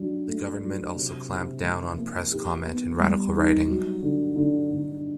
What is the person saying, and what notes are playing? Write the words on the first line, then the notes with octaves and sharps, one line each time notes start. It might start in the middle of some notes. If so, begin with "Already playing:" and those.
The government also clamped down on press comment and radical writing.
Already playing: F#3 D4
A3
F#3
C3
C3
F3
A#3
G4
B3
G3
D#4
F#3
D3
D3
D3